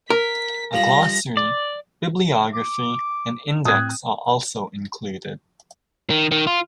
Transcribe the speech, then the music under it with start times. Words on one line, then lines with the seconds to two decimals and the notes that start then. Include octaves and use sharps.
A glossary, bibliography, and index are also included.
0.10 A#4 B6
0.73 G2 F3 F5 B5 A#6
1.37 D5
2.54 D6
3.65 A2 C4 D#6 F#6 G#6
6.10 D#3
6.32 D#3
6.47 F4